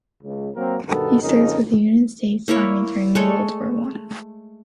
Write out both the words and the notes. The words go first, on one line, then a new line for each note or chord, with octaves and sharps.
He served with the United States Army during World War One.
C#2
F#3 A#3 C4 A#4
G2 B2 D#3 B3 A4
F2 C#3 G#3 D#4 A#4
A#3 E4 A#4 C#5
G#3 A3 A4 C#5